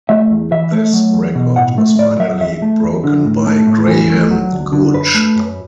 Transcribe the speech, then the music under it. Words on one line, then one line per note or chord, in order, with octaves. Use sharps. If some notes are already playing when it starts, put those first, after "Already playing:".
This record was finally broken by Graham Gooch.
A3 E5
E2
E3 E5
A3
F#3
E2
B2
A2 F#5
A3
A2 D5
F#3 E5
E2 E5
A3
E2
D3
A2
A3
A2
E3
A3
F#3
D2
D3
F#2 B4
A3
F#2